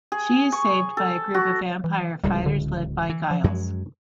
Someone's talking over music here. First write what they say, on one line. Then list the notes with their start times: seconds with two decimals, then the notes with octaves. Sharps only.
She is saved by a group of vampire fighters led by Giles.
0.12 G#4
0.52 C#6
0.97 A4
1.34 F#4
1.84 E3
2.24 D1 C#2 G3
2.46 D3
3.09 E3
3.31 F3
3.44 F#2 F#3 G#3